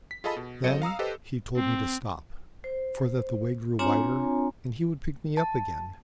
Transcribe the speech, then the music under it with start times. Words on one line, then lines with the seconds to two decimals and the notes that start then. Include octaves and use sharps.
Then he told me to stop, for that the way grew wider and he would pick me up again.
0.11 B6
0.24 F4 G#4 A4 D#5 A5 B5
0.37 B2
0.64 F#3 C4 A4 D#5 C#7
0.82 F5 A#5 D#6 E6
0.99 G4 A4 B4 C5 D#5
1.56 C4
2.64 C5
3.79 C4 D4 F4 C#5 G#5 A#5
5.37 A5